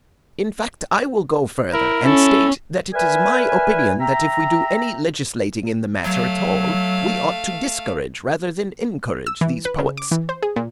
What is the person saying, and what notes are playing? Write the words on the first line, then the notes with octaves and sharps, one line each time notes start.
In fact, I will go further and state that it is my opinion that if we do any legislating in the matter at all, we ought to discourage rather than encourage these poets.
E4 A#4
C#4 E4 A4
A#4 B4 D5 E5 G#5
E5 G5 A#5
F#3 A3 F5
E6
E3
B4
C#3
D6
E3
C5
G#4
A#2